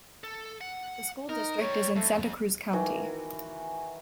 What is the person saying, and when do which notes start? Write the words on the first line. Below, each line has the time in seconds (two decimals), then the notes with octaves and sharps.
The school district is in Santa Cruz County.
0.24 A4
0.61 F#5
1.29 D#4 A#4
1.61 G3 A#4 C#5
1.96 F2 A3
2.73 D#3 E3 F#4